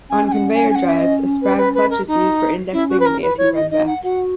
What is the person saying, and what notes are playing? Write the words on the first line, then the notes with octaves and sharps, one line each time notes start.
On conveyor drives, a sprag clutch is used for indexing and anti-runback.
C#4 G#5
G#5
F#5
G#5
G#5
F#5
E5
D#5
B4
B4
B4
A#4
D#4
C#4 E4
F#4
B4
A#4
B4
E4 C#5
D#5
D#4 D#5
F#5
F#4 F#5